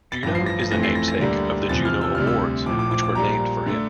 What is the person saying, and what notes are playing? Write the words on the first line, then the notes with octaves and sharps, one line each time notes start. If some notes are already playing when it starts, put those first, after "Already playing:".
Juneau is the namesake of the Juno Awards, which were named for him.
A6
A1 G2 F3 A#6
C7
A#6
A#6
G1 F2 E3 A3 A#6
C7
A#6
A#6
D2 D3 G3 A#3
E2 C3 F3 A6
F6
E6
D2 C3 G3 F6
E6
A#1 A2 F3 D6
D6
D6
D6
A#1 A#2 G3 A#3 A#5
D3 A3